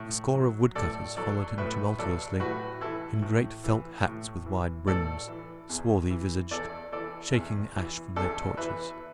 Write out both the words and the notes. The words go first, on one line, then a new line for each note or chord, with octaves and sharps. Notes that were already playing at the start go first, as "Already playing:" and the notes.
A score of woodcutters followed him tumultuously, in great felt hats with wide brims--swarthy visaged--shaking the ash from their torches.
Already playing: A2
F#3
A2 A4 D5
F#3 A4 D5
A2 B4 E5
F#3 A4 D5
A2 F#4 B4
E3 E4 A4
A2
E3
A2
E3
A2 A4 D5
E3
E2
E3
E2 A4 D5
E3 A4 D5
E2
E3
E2 A4 D5
E3 B4 E5